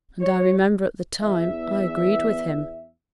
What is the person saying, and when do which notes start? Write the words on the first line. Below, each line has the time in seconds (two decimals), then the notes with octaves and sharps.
And I remember at the time I agreed with him.'
0.21 C#5
1.20 E2 E5